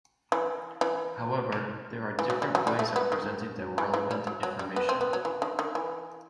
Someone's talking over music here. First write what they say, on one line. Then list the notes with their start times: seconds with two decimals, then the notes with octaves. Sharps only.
However, there are different ways of presenting the relevant information.
0.32 E3
0.81 E3
2.19 E3
2.30 F#3
2.42 G3
2.55 F#3
2.67 G3
2.79 A3
2.96 B3
3.12 D#3
3.78 E3
3.94 E3
4.11 G3
4.27 F#3
4.43 F#3
4.59 G3
4.76 B3
4.89 C4
5.01 B3
5.13 F#3
5.25 E3
5.42 D#3
5.59 D#3
5.75 E3